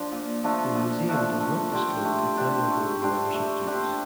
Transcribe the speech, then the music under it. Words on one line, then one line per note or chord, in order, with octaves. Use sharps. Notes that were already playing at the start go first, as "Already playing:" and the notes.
The museum does not disclose its annual board membership dues.
Already playing: F3 D4
A#2
F3 A3 D4
A#2
F3 A3 D4
A3
D4 G4 C5
A3
D4 G4 C5
A3
D4 G4 C5
A3
D4 G4 C5